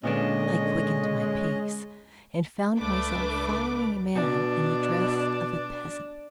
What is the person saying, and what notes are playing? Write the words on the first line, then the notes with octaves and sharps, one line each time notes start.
I quickened my pace, and found myself following a man in the dress of a peasant.
A#2 D3 G#3 B3 C#4 D4 D#5
C#2 A3 D4 B4 D6
B2 D4